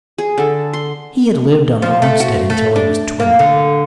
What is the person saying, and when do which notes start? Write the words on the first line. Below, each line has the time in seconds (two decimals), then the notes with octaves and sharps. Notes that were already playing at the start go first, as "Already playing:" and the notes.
He had lived on the homestead until he was twenty.
0.18 G#4
0.38 D3 A4
0.73 C6
1.82 F3
2.02 A3
2.20 F#4
2.50 A3
2.76 D4
3.20 A#3
3.39 D3